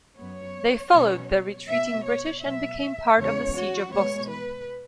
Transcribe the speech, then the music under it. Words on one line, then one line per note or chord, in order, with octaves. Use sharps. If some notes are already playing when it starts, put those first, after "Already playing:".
They followed the retreating British, and became part of the Siege of Boston.
F#2 F#3 B3 C#5
B2 F#3 C#4
B2 B3 E5
C#5
B2 F#3 B3 E5
E2 C#3 G#3 C#4 C#5
F#4
B2 G#3 B3 C#5
B4